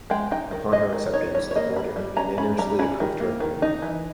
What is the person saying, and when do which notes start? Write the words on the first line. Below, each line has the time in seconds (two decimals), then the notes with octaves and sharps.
Upon her acceptance, the Board unanimously approved her appointment.
0.10 G#3 G5
0.31 D#4 G5
0.51 D#3
0.72 G#3 D#5
0.93 D#3
1.13 D#4 C#5
1.35 G3 C#5
1.51 C#5
1.56 A#3 D#5
1.76 G3 B5
1.96 G3
2.17 C#4 A#5
2.38 C#4 B5
2.58 G3 A#5
2.79 C#4 B5
3.00 D#3
3.20 A#3
3.40 D#3
3.62 D#4
3.82 E3